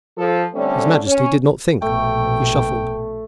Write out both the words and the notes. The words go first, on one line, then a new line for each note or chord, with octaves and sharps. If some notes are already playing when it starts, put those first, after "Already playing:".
His Majesty did not think; he shuffled.
F3 A4
D3 G3 A3 C4 C#4
C#4 C#5
A#1 B2 A3 G5